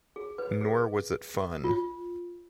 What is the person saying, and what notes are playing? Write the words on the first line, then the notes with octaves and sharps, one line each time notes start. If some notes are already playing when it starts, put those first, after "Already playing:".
Nor was it fun.
G#4
B4
G#4
F4